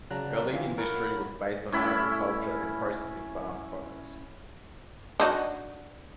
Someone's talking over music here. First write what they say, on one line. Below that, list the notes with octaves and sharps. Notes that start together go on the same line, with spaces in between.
Early industry was based on agriculture and processing farm products.
C#3 F#3 D5 A5 A#5 F#6
D3 E3 C4 F4 G#5
A#4 C#5 F#5 B5
A2 C#4 E4 B5
D4 D#4 F#4